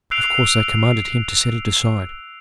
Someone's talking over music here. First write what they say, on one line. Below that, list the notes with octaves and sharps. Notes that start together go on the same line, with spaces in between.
Of course I commanded him to set it aside.
E6 F#6 C7 D7 F7